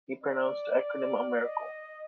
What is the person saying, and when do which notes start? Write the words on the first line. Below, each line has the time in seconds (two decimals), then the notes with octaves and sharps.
He pronounced the acronym, a miracle.
0.24 D5
1.42 D#5